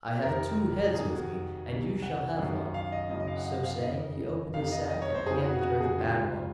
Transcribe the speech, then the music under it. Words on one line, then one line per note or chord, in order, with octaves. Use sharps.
'I have two heads with me, and you shall have one.' So saying, he opened his sack, and handed her the bad one.
F2 C3 D#3 A#4
F2 C3 D#3 G#4
F#4
C2 C3 D#3
F#5
F#2 D#3
F5
D#5
F#2 C#3 D#5
D#5
F5
F#5
D#5
F5
F2 C#3 D#5
F2 C3 D#3 F5
D#5
D#5
C#5
C5
F2 C#3 G#4
F#4
F#4
G#4
C#2 C3 D#3 F4